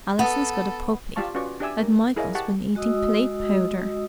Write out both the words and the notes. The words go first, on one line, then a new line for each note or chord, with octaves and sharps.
Alison's got a puppy, and Michael's been eating plate-powder.
B3 A4 F#5
F4 G4 D5 F5 A5 C#6
C#4 F4 F#4 B4 D5 C#6
D4 G4 D5 E5 G#5 E6
A#4
E4 G#4 A#4 C#5 D#5 F5
G4 F#5 A5 C#6
G#3 F#4 D#5 D#6 E6